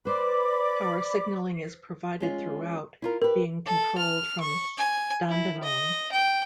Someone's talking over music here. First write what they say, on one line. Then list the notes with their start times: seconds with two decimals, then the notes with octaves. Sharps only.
Power signalling is provided throughout, being controlled from Dandenong.
0.05 B4 C5 D5 B5 D6
2.20 G#3 C#4 F4
3.02 E4 F4 A#4
3.22 G4 A#4 B4
3.66 A4
3.98 F6
4.41 C#6
4.78 G#5
5.29 E4
5.63 D#5
6.12 G5